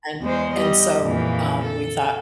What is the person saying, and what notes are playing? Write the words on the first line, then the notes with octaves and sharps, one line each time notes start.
and and so, um, we thought,
E2 G#3 C5
G3 D#5
F2 A#2 E3
A4